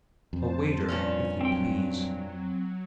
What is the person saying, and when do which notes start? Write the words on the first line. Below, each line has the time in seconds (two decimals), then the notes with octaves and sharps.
A waiter, if you please.
0.33 F2 C5 A5
0.88 G2 A#2 C#4
1.41 F#3 C4 G5